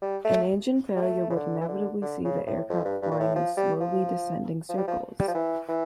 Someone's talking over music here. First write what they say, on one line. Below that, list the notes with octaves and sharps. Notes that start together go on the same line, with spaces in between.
An engine failure would inevitably see the aircraft flying in slowly descending circles.
G3
A3
G3
A3
C#3
D3
E3
D3
D3
C#3
A2
F2
G2
G2
A#2
A2
F3
G3
F3
F3
G3
F3
G3
F3
E3
E3